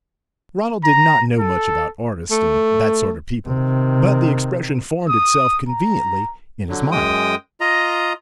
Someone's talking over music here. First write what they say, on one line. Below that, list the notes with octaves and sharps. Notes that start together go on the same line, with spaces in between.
Ronald did not know much about artists and that sort of people, but the expression formed itself conveniently in his mind.
A#5
A4
A3
C3 D#3
D#6
A#5
D3 F#3
F#2 G#3 G5 D#6
F4 D#5 A#5